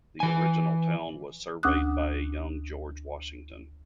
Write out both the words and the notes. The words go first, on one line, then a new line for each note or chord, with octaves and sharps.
The original town was surveyed by a young George Washington.
E3 G#5
D2 C#4 D6 D#6 F#6